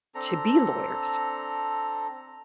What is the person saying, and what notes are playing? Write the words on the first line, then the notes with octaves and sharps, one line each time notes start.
to be lawyers,
C4 D4 A4 A#5